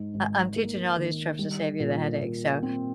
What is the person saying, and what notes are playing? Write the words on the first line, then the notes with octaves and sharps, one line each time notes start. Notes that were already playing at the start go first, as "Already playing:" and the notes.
I'm teaching you all these tricks to save you the headache. So
Already playing: G#2
G#1
A#3
D#3
G3
A#2
A#2
C4